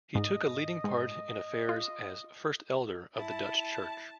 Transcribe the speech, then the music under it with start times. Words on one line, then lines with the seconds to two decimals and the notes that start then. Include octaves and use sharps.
He took a leading part in affairs as 'first elder' of the Dutch church.
0.15 G#2 D#5
0.84 G#2
1.69 F4
3.13 E4 A5